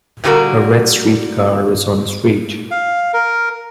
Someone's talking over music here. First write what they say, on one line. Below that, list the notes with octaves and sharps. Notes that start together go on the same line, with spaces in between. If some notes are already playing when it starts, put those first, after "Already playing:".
A red streetcar is on the street.
A#2 D3 G3 A#3 F#4 A#4
F5
A#4